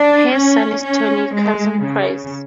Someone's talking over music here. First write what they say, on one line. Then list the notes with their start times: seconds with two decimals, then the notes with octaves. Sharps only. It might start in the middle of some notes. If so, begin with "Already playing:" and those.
Her son is Tony Curzon Price.
Already playing: D4
0.35 C#4
0.85 C#4
1.34 G#3
1.84 C#3